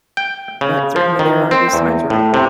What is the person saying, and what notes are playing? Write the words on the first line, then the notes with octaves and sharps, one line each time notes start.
but certainly there are those times where
G5
C#3
F3
D#3
C4
E2
A2
C3